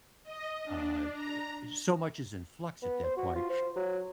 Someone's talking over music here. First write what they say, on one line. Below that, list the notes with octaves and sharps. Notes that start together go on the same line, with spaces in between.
uh, d so much is in flux at that point.
D#5
D4
A#5
B3
C5
F#4
F4
C5
F#3